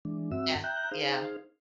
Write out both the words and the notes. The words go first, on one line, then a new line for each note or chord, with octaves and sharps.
Yeah, yeah.
E3 G#3 D4
G2 C4 F#4 E5 E6
E5 G5 A#5 F#6 G6
D#4 G#4 C5 F5